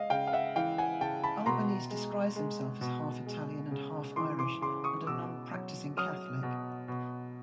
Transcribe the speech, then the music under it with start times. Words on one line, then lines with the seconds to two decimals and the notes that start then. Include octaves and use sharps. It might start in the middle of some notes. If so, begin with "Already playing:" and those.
Albanese describes himself as "half-Italian and half-Irish" and a "non-practicising Catholic".
Already playing: G#3 D#5 F5
0.10 C#3 F5 G5
0.27 F5
0.33 E5 F#5
0.56 E3 F5 G5
0.78 F#5 G#5
1.01 C#3 G5 A5
1.23 A5 B5
1.46 B2 A#5 C6
1.91 G#3
2.36 G#3
2.81 B2
3.26 G#3
3.71 C#3
4.16 E3 C6 D6
4.39 C6 D6
4.61 C#3 C6 D6
4.84 C#6 D#6
5.06 B2 D6 E6
5.52 F#3
5.97 F#3 D#6 F6
6.43 B2
6.88 B2